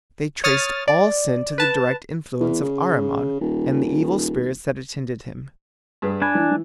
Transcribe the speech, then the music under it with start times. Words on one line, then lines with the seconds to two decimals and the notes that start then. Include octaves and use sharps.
They traced all sin to the direct influence of Ahriman and the evil spirits that attended him.
0.44 C#5 D#6 F6 A6
0.88 D5
1.58 B4 A5
2.40 E2
2.63 C#3
3.41 D#1
6.02 G2 G#4 B4
6.22 D4 G#5 B5
6.35 E3
6.51 E3